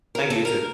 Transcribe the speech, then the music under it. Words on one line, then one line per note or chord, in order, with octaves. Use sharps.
Thank you. You too.
A#4
A4
A#4